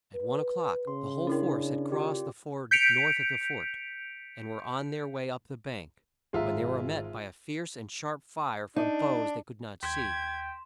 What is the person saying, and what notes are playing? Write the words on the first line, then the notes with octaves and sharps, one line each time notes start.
At one o'clock the whole force had crossed the ford north of the fort, and were on their way up the bank, when they were met by a fierce and sharp fire from foes they could not see.
B4
C#3 C6
C#4 D4 E4 A#4
F4 G4 D5
G6 B6 C#7 D7 F7
G#1 G#3 D#4 F4 E5 A#5
D4 D#4
D#2 G5 C6 G#6 B6 E7